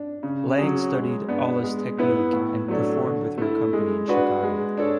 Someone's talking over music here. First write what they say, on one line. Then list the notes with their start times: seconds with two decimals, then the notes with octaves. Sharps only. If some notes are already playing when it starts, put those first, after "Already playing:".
Lang studied Allis technique and performed with her company in Chicago.
Already playing: D4
0.23 C#3
0.58 F#3 C#4 G#4
0.94 G#3
1.29 B3 D4
1.63 G#3
1.98 B3 E4 B4
2.33 A2
2.68 F#3 A3 D4
3.03 D3
3.38 A3 E4
3.73 G#3
4.08 D4 F#4 B4
4.43 G#3
4.77 D4 A4 C#5